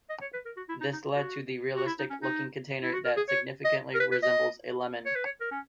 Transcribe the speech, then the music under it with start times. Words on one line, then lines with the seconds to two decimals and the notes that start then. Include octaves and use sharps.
This led to the realistic-looking container that significantly resembles a lemon.
0.10 D#5
0.22 C#5
0.33 B4
0.45 A#4
0.57 F#4
0.69 E4
0.81 D#4
0.93 D#4
1.16 F#4
1.76 F#4
1.87 E4
1.99 D#4
2.10 C#4
2.22 D#4
2.83 E4
2.93 F#4
3.05 A#4
3.17 G#4
3.29 C#5
3.64 D#5
3.95 A#4
4.00 B4
4.11 B4
4.23 D#5
5.06 C#5
5.15 B4
5.25 C#5
5.41 A#4
5.51 C#4